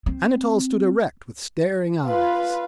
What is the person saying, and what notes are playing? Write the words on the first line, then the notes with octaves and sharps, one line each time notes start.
Anatole stood erect with staring eyes.
C4
F4 B4 F5